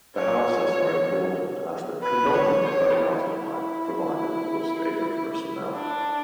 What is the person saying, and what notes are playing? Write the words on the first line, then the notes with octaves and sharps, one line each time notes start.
The houses are important as the predominant early housing type provided for Australian personnel.
C#5
B4
C#5
C#5
E4
D4